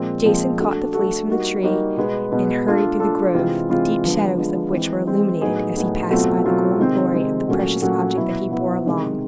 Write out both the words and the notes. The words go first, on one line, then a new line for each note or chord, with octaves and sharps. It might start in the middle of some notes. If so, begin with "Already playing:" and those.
Jason caught the fleece from the tree, and hurried through the grove, the deep shadows of which were illuminated as he passed by the golden glory of the precious object that he bore along.
Already playing: A#2 F3 G#3 C4
A#2 F3 G#3 C4
A3 D4 F#4 A4
A3 D4 F#4 A4
G3 A#3 D#4 F#4
G3 A#3 D#4 F#4
B2 G#3 B3
B2 G#3 B3
A3 D4 F4 A4
A3 D4 F4 A4
C3 E3 G#3 C4 F4
C3 E3 G#3 C4 F4
D3 F3 G#3 B3
D3 F3 G#3 B3
E3 G#3 C4
E3 G#3 C4
A2 F#3 B3 D#4 G#4
A2 F#3 B3 D#4 G#4
B2 F#3 A3 C4 F4
B2 F#3 A3 C4 F4
C3 D#3 G#3 C4
C3 D#3 G#3 C4
A#2 F#3 A3 C#4 F#4
A#2 F#3 A3 C#4 F#4
B2 F#3 B3 E4
B2 F#3 B3 E4
C3 D#3 G#3